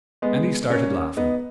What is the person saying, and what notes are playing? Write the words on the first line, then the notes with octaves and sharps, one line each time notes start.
And he started laughing.
G#3 B3
A#3 C#4
B3 D#4